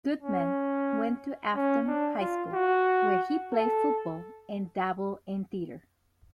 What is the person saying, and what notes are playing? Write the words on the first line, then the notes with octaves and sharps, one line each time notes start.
Goodman went to Affton High School, where he played football and dabbled in theater.
C#4
C#4
D4
F4
F#4
A4